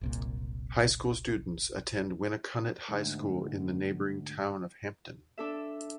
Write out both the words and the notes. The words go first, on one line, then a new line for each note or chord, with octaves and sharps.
High school students attend Winnacunnet High School in the neighboring town of Hampton.
F#1 C2 A#2
D2 G#2
D4 A4 E5